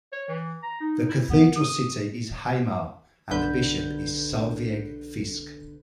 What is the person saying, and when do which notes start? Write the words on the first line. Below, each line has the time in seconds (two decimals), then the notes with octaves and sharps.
The cathedral city is Hamar, and the bishop is Solveig Fiske.
0.12 C#5
0.28 E3
0.63 A#5
0.80 D#4
1.08 E4
1.30 B3
1.56 D#6
3.30 B1 D3 B4 G6